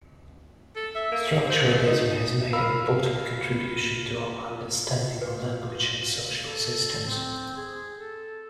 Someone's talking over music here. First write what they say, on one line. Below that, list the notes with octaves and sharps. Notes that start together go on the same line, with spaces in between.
Structuralism has made an important contribution to our understanding of language and social systems.
A4
E5
A#3
A#3
C5
A3
D#4
A#4 F5 B5 E6
F4 F#4 B4 C5
A4
C4
G#4
A4